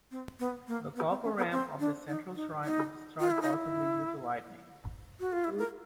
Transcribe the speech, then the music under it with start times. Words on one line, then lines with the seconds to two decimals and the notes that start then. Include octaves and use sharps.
The "gopuram" of the central shrine is destroyed possibly due to lightning.
0.11 C4
0.39 B3
0.67 A#3
0.96 B3
1.10 C4
1.24 C#4
1.37 B3
1.52 C4
1.80 D4
2.08 D#4
2.35 D#4
2.64 D#4
3.20 F4
3.31 E4
3.42 D#4
3.53 E4
5.20 F#4
5.32 F4
5.44 E4
5.58 A#4